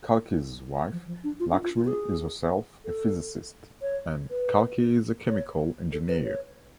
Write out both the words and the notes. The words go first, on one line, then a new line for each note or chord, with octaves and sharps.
Kalki's wife Lakshmi is herself a physicist, and Kalki is a chemical engineer.
F3
F3
D4
F4
D4
F4
F4
F#4
G#4
A4
C#5
B4
C#5
A4
B4
C#5